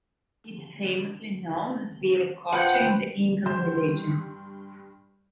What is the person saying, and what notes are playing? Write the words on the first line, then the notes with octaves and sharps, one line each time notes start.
He is famously known as Viracocha in the Incan religion.
F3 B4 F#5 G5
G2 C6 G6 E7